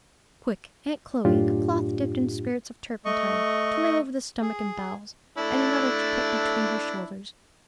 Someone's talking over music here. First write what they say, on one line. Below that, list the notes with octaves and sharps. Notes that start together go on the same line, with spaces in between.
Quick, Aunt Chloe! a cloth dipped in spirits of turpentine, to lay over the stomach and bowels, and another to put between her shoulders.
F#2 A2 D4 F4 G4
A3 D#5 C#6
G#4
A3 D4 E4